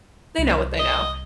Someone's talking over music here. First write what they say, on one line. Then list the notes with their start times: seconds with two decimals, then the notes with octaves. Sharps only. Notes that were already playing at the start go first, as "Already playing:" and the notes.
they know what they know,
0.38 C2
0.80 D#5